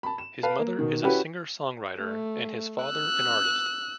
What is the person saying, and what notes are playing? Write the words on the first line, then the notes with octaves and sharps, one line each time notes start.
His mother is a singer-songwriter and his father an artist.
A5 B5
E7
B4 F5 A5
A#3
B2 D#3
C#4 E4 F#4 G4 B4
A3
E6 F#6